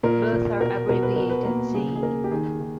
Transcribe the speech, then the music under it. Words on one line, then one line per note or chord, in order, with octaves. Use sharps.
Both are abbreviated Z.
A#2 A#4
A#2
B2 A#4
B2 A#4
B4
B2 A#4
B4
A#3 A#4
C#3 G#4
G#4
A#3 A#4
G4
D#3 G#4
D#3